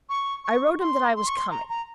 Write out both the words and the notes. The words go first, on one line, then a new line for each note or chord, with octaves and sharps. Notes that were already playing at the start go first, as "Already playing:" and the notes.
I wrote him that I was coming.
C#6
C#6
C6
C6
C#6
C6
A#5
A#5